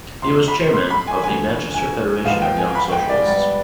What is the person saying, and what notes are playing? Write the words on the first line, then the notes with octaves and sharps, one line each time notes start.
He was chairman of the Manchester Federation of Young Socialists.
F1 F2 C3 C6
B5
C6
B5
G#5
D2 D3 F3 G#5
G#5
G#2 F3 B3 F4 F5
G5
G#5
B5
G5
D5
G#2 G3 B3 D5